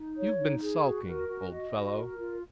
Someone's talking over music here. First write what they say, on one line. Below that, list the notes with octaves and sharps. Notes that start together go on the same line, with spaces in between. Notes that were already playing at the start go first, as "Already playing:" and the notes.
You've been sulking, old fellow.
Already playing: D#4
C#5
D#4
G#4
F#4
A#4
F#4
D#5
F#4
A#4
F4